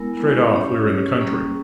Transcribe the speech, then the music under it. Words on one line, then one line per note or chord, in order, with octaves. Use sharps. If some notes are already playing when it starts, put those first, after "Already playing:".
Straight off, we were in the country.
Already playing: G#3 B3 E4 A#4
G#3 B3 E4 A#4
C#4 G4 C#5
C#4 G4 C#5
G3 A#3 C#4 G#4